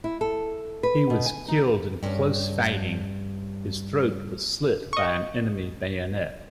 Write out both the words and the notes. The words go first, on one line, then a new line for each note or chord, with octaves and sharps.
He was killed in close fighting; his throat was slit by an enemy bayonet.
E4
A4
B4
B2
G#5
D#4
G2 C#4
D#5 C#6